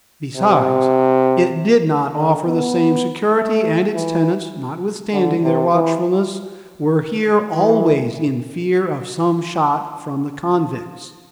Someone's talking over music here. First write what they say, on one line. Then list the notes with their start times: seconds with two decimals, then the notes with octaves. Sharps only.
Besides, it did not offer the same security, and its tenants, notwithstanding their watchfulness, were here always in fear of some shot from the convicts.
0.37 C3
2.16 D3
2.45 B3
3.34 A3
3.94 E3
5.13 D3
5.43 C3
5.74 E3
7.52 E3